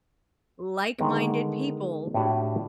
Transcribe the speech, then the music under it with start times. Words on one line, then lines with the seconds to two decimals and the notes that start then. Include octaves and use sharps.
like minded people
0.98 D3 D#3 G#3 B3
2.14 A2 D4 F#4 G4 F#5